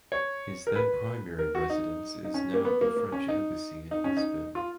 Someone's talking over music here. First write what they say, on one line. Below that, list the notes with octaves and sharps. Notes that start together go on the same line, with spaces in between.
His then primary residence is now the French Embassy in Lisbon.
C#5
A#4
B4
A#4
F#4
D#4
D#4
C#4
A#3
B3
A#3
A#3
C#4
D#4
D#4
C#4
D#4
F4